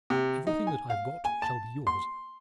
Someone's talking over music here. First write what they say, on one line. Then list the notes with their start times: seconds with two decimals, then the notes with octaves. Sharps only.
Everything that I've got shall be yours.
0.10 C3
0.47 D#4
0.67 G#5
0.90 F5
1.25 G#5
1.42 A5
1.87 C6